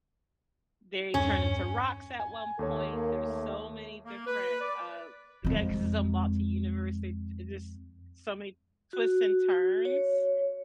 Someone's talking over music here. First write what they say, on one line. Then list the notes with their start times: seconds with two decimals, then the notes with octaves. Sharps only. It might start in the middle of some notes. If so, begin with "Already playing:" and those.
they turn into rocks at one point. There's so many different, uh again, 'cause it's a multi-universe, they they just so many twists and turns
1.14 E2 G2 C#4
2.20 G#5
2.59 D#2 A4 C#5
2.93 A#3
3.26 A3
4.04 A#3
4.26 B4
4.60 D5
5.44 F2 G#3
8.93 F#4
9.85 C#5